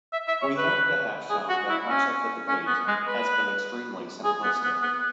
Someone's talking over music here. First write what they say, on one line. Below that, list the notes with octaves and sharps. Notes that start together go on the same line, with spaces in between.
We hope to have shown that much of the debate has been extremely simplistic.
E5
E5
C#5
B4
G#4
F#4
E4
C#4
C#4
B3
G#3
B4
G#4
B3
B3
B3